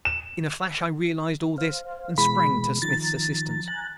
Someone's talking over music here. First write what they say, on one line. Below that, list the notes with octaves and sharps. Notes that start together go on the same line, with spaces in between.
In a flash I realized all this and sprang to Smith's assistance.
E7
C5 F5
B2 E3 G#3 B5
D#3 F3 A#5 A6
G#5 A#5 F#6